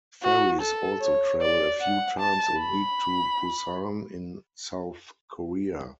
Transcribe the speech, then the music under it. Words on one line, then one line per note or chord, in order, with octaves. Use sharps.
Ferries also travel a few times a week to Busan in South Korea.
F#4
A4
C#5
D5
F#5
A5
B5